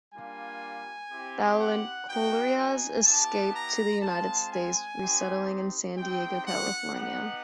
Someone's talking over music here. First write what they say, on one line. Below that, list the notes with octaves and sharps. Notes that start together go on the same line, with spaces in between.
Blancornelas escaped to the United States, resettling in San Diego, California.
G3 A#3 D4 F4 G#5
C4 E4 G4
F#5
B3 D#4 F#4 G5
G#5
B3 E4 G4 A5
A#5
G#3 C4 F4 A5
G#5
C4 D#4 G4
C4 D#4 G4 G5
F#5
B3 D#4 G4 F#5